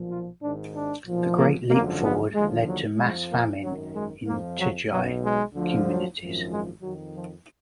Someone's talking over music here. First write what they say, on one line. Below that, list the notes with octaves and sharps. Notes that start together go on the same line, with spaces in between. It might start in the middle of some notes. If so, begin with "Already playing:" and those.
The Great Leap Forward led to mass famine in Tujia communities.
Already playing: B1 A#2 F3
F4
G#1 G#2 D#3 D4
D4
B1 A#2 F3
A#3
G#1 F#2 D3 F3 A#3
B3
D#2 D3 F3 G#3
F#3
F2 F3 G#3
A#3
G#1 F#2 D#3 F#3
G#3
F2 F3 A#3
F#3
B1 B2 F#3
G#3
D2 D3 F3
F#3
G#1 F#2 F3
G#3
F2 D#3 F#3
F3